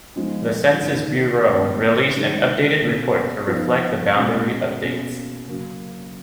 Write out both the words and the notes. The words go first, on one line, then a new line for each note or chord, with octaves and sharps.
The census bureau released an updated report to reflect the boundary updates.
F3 G#3 B3 D#4
D#3 A#3 D#4
D#3 G#3 B3 D#4
D#3 G#3 D#4
B2 A#3 C#4
F3 B3 D#4
B2 G#3 C#4
B2 A#3 C#4
C#3 F#3 A#3 C#4